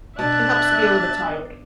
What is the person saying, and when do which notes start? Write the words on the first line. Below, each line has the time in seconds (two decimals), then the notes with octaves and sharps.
It helps to be a little bit tired.
0.19 B2 D4 E5 A5 F#6